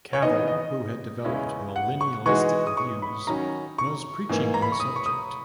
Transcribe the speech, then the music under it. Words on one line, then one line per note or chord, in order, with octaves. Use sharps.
Kavel who had developed millennialistic views, was preaching on the subject.
C#5
E3 B3 D#4 D#5
D#5
E2 C#3 G#3 C#4 E4
F#5
C#6
E3 G#3 D#4 F#4 C#6
D#6
C#6
B5
D#3 F#3 C#4 A#5
C#6
G#2 E3 A#3
A#5
B5
C#6
D#6
C#6
D#6